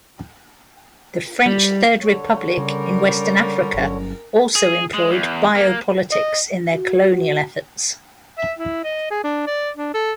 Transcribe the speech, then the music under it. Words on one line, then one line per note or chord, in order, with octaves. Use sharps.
The French Third Republic in Western Africa also employed biopolitics in their colonial efforts.
G3
D3 C#5
C#3 G3 A#4
G1 F#3 C#4
G#4
G#3
E2
A#3
D#5
F#4
E5
E4
D#5
G#4
D4
D5
D4
A4